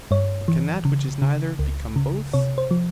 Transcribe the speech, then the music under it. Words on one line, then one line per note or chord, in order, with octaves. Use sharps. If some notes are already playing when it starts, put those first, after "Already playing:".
But can that which is neither become both?
G2 C#5
E3
C#3
C#3
C#2
C#3
C3 C#5
C5
F3